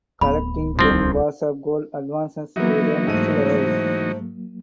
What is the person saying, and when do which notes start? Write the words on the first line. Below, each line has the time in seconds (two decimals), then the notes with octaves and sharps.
Collecting ten bars of gold advances to the next level.
0.21 D1 B3 B5
0.79 C2 F3 C4
2.56 E3 F#3 A#3 B3 D#4 E4 F#4
3.07 G#2 A3 C5 D#7